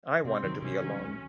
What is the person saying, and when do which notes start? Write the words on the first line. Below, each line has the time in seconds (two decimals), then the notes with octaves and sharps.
I wanted to be alone.
0.25 C3 C4
0.43 D#3 F#3
0.62 C3 C#4
0.81 D#3 F#3
0.99 D2